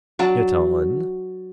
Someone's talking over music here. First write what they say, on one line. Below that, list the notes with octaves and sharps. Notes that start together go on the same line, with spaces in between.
Get on.
F#3 D4